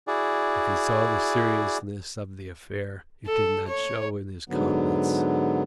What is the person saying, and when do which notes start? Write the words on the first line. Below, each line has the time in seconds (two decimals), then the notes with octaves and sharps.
If he saw the seriousness of the affair, it did not show in his countenance.
0.07 E4 F#4 G#4 D5
3.26 A4
3.68 C#5
4.49 G#2 D3 F#3 B3